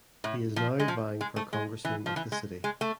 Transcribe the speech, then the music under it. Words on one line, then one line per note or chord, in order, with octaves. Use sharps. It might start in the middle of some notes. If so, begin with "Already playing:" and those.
He is now vying for congressman of the city.
A2
F3
G#3
F3
G#3
A3
G#3
E3
F3
E3
G#3
G#3
A3